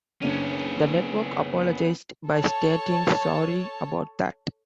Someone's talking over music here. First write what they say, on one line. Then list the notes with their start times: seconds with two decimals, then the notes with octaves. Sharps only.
The network apologized by stating Sorry About That.
0.22 F#1 B3 C#4 D4 D#7
2.28 A4 C#5 A5